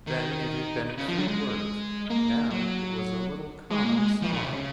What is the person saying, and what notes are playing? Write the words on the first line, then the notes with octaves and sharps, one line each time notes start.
Then it had been few words, now it was a little common song.
D#3
C#3
F3
F#3
G#3
A#3
F#3
G#3
A#3
G#3
F3
A#2
C3
C#3